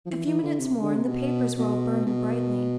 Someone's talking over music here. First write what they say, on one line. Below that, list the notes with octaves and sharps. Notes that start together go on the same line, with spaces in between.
A few minutes more and the papers were all burning brightly.
F3
E3
E3
D3
C3
D3
C3
B2
B2
B2